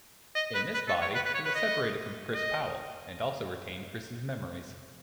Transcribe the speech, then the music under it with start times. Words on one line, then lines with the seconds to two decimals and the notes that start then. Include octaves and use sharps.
In this body, he was separated from Chris Powell, and also retained Chris' memories.
0.35 D#5
0.54 B4
0.74 B4
0.88 A4
1.01 C#5
1.15 B4
1.25 B4
1.34 C#5
1.45 B4
1.55 D#5
2.34 D#5